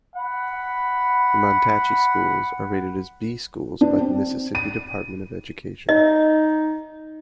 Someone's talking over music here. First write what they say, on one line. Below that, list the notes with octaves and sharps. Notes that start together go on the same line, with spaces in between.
The Mantachie Schools are rated as "B" schools by the Mississippi Department of Education.
F#5 B5
D4
C4
D#7
D#4 D#5